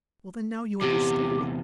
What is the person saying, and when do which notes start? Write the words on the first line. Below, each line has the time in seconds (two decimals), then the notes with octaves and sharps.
Well then, now you understand me.
0.82 E2 C3 G4